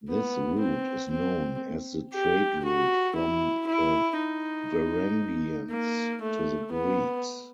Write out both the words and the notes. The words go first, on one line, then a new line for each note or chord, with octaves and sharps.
This route is known as the trade route from the Varangians to the Greeks.
B3
C4
C4
G4
F#4
E4
E4
D#4
A#3
A3
B3